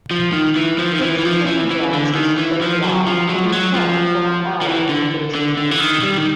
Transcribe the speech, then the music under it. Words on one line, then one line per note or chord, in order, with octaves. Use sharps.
Dixieland Jazz was played live from a club for an hour on Thursday nights.
F3
D#3
E3
F3
D#3
E3
E3
F3
E3
E3
D3
D#3
E3
F3
F#3
F3
F#3
F3
F#3
F3
F3
E3
D3
D3
D3
E3
D#3
G3
D#3